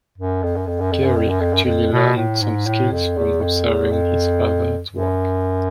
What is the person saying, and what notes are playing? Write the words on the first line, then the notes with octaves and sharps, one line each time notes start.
Gerry actually learned some skills from observing his father at work.
F#2
F2
F#2
F2
F#2
F2
F#2
F2
F#2
F2
F#2
F2
B2
A2
G#2
A2
F2
E2
F2
E2
F2
F#2